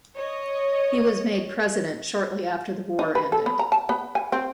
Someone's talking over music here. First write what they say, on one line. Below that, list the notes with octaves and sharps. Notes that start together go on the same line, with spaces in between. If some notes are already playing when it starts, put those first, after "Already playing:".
He was made President shortly after the war ended.
C#5 D#5
D#4
B4
A4
B3
A#5
A5
B3
G#5
C4